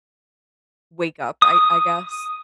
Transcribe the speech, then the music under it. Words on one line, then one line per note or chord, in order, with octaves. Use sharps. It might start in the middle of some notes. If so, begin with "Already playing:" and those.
wake up, I I guess,
D#6